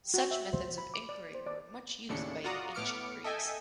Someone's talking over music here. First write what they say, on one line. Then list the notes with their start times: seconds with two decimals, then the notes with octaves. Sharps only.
Such methods of enquiry were much used by the ancient Greeks.
0.14 F#4
0.31 E5
0.53 C5
0.78 B5
0.94 D6
1.09 D5
1.35 C5
1.46 D5
2.09 D#2 A2 C#3 D4 C#7
2.44 F4 F#4 D5 F#5 A#5 D#6
2.75 A2 B3 D6 F6 C#7 D7
3.24 A4 D#5 E5 G5 G#5